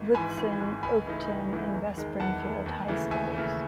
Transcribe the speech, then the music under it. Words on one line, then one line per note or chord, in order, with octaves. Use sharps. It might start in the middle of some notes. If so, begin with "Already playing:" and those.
Woodson, Oakton, and West Springfield high schools.
Already playing: G#1
G#2 E3 G#5 B5
G#1
G#2 E3
C#2 G#5 B5
C#3 E3 A3 D#4
C#2
C#3 E3 A3 D#4
E2
D#3 G#3
E2 F#5 A5
D#3 G#3
D#2
C#3 E3 A3
D#2 E5 G#5
C#3 E3 A3